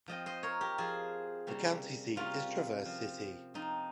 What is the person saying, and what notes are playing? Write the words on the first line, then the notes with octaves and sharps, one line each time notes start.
The county seat is Traverse City.
F3 C4 D#5 G5
C5 D#5
A#4 C#5
G4 A#4
F3 C4 F4 G#4
C3 G3 A#3 C#4
C3 G3 A#3 C#4 F4
F3 C4
F3 C4 D#4